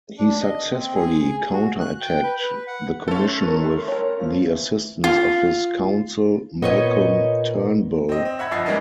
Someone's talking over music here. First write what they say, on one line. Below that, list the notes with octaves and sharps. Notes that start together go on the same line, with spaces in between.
He successfully counter-attacked the Commission with the assistance of his counsel Malcolm Turnbull.
D4
D#5
C4
G#4
F#4
F#6
G5
B4
B4
F#5
A3 C#4 A4 C6
A#4 B4
A#4 C#5
F3
E3
F4
A#2 B3 D#4 C#5 D#5
C4 D#5
C4
E5 F#5 B5 G#6
G1 F3 D#5 E5 A6 C7
G3 G#3 A#3 B3 C#4 D#4